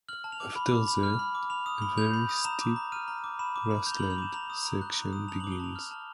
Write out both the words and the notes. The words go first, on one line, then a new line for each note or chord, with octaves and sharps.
After that, a very steep grassland section begins.
F6 F#7
A5
F7
D6
B5
D6
B5
F6
B5
D6
B5 F7
D#6
B5
G6 F7
B5
D#6
A#5 E7
D6
A#5
F6 D#7
A#5
D6
B5 E7
D6
B5
G6 F7
G7
B5 F#7
F7
D6 E7
A#5 F7
D#6
A#5
F#6
A#5
D#6
A5 F7
D6 F#7
G7
A5 F7
F6
A5